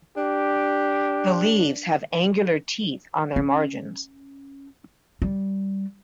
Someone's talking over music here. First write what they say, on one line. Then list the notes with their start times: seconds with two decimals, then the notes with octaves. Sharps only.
The leaves have angular teeth on their margins.
0.17 D4 G4
3.36 C#4
5.22 G3